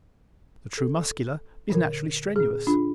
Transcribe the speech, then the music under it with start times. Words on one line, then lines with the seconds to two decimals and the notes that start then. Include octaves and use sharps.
The true Muscular is naturally strenuous.
0.78 A4
1.70 A#2 D3 A#4
2.36 A#2 C4 G#4
2.67 D4 F4